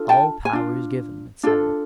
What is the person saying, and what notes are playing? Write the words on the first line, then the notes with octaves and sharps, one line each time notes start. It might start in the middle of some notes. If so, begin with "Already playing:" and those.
"All power is given," etc.
Already playing: D4 F4 A4
G5 A5
G#5
D4 F4
D4 F4 A4